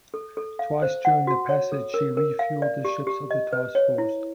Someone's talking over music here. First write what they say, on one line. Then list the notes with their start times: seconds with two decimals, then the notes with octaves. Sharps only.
Twice during the passage she refueled the ships of the task force.
0.14 A4
0.37 A4
0.59 F5
0.82 C5
1.05 F#5
1.27 F#4
1.49 C#5
1.72 A4
1.94 A#4
2.17 A#4
2.39 F5
2.62 D5
2.85 G4
3.07 G4
3.31 D#5
3.53 B4
3.75 C#5
3.98 E4